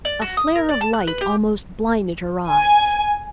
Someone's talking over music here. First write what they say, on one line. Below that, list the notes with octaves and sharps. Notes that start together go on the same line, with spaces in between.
A flare of light almost blinded her eyes.
D5
F#4
D#6
A#4
D5
A5
F#6
B4
G4
G#5